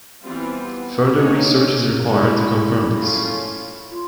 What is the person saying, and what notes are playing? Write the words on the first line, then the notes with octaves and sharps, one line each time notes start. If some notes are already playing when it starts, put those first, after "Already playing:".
Further research is required to confirm this.
E3 G3 B3 C4 F4
A#3 D#4 G#4 C#5
G#3 C#4 E4 F#4 B4
A3 C#4 F4
F4